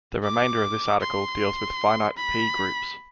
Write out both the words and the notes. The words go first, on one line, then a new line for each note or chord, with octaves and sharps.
The remainder of this article deals with finite "p"-groups.
D6
C6
B5